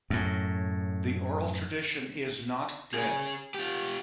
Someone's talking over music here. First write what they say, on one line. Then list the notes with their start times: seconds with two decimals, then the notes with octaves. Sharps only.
The oral tradition is not dead.
0.10 F#2 A2
2.94 C#4 G#4
3.54 F4 G4